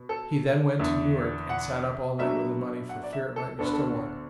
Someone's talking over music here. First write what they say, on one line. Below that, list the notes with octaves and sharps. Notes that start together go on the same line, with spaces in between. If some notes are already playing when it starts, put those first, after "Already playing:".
He then went to Newark and sat up all night with the money for fear it might be stolen.
Already playing: B2
A4
E2 D3 A3
F#5
B2 F#3 A3 D4 E5
F#5
D5
E5
A4
D2 D3 B3 D4 A4
B4
A4